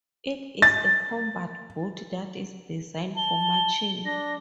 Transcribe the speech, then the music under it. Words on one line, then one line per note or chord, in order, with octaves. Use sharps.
It is a combat boot that is designed for marching.
A6
A5 G7
D4 A#6